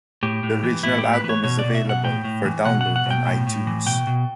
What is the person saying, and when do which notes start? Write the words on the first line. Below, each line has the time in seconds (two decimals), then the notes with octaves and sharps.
The original album is available for download on iTunes.
0.23 A2 G4
0.43 A2
0.63 E3
0.83 A2 E4
0.99 G4
1.04 A2
1.14 B4
1.24 E3 B4
1.29 C#5
1.44 B2 C#5
1.59 D5
1.64 B2
1.75 E5
1.85 B2 F#5
2.04 A2 G5
2.24 A2
2.45 E3
2.65 B2 F#5
2.81 B2 F#5
2.96 F#5
3.06 B2 G5
3.26 A2
3.47 A2
3.67 E3
3.86 B2 G5
4.07 B2